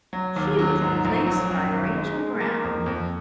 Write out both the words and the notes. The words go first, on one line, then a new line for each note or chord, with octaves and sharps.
She was replaced by Rachel Brown.
F#3
D#2
F#3
G#2
A#1
F#3
F#2
G#1
G#3
G#3
A#3
F2
F2